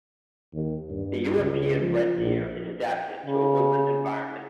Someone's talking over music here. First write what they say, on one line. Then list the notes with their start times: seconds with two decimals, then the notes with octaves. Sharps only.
The European red deer is adapted to a woodland environment.
0.53 D#2
0.90 G2
1.38 C#2
1.82 F3
2.18 A#1
3.26 C#3